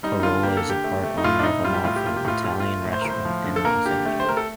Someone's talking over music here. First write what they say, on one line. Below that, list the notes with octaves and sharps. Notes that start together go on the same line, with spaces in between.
Carolla is a part owner of Amalfi, an Italian restaurant in Los Angeles.
G3 D#4
D#4
D3 F4
A#3 G4
A4
D3
G4
A3
A3
D#4
A2 F4
D4
A2 D#4
G3 F4
G4
A2 F4
G4
A#3 F4
G4
A2 F4
A3 F4
G4
F4
A3
A2
C5
A#4
A2
C5
F3
D3
A4
A#3 A#4
D3 G4
A3
C5
A3 A#4
A4